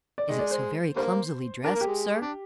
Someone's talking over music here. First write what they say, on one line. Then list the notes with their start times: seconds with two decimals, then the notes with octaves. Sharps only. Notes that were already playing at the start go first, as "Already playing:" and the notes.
"Is it so very clumsily dressed, sir?"
0.18 D5
0.28 D#3 G#3 D#5
0.39 D5
0.51 C5
0.96 D3 G3 A#3 C5
1.64 D4 A#4
1.75 A#3
1.81 G4
1.86 G#3
2.21 D4